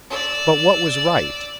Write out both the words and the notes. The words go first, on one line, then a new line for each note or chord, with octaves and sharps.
But what was right?
D5 E6